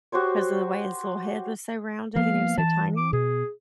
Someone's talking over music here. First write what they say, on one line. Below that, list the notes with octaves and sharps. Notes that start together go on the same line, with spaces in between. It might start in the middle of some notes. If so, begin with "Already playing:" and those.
'cause of the way his little head was so rounded and he was so tiny,
F#4 G4 C5 C#5
F3 A#3 B3 F5
E3 A5
D6
B2 G#4